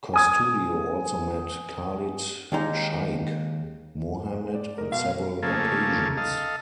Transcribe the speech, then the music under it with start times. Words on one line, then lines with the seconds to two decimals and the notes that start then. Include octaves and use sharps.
Costudio also met Khalid Shaikh Mohammed on several occasions.
0.14 G#5 D#6 G#6
2.52 D#2 G#3 D#4
4.34 G#3
4.55 D5
4.78 D#4 A#4
4.92 B2 F5
5.43 C#3 F3 A3 A#3 G#4 A4
6.17 A4 D#5 F5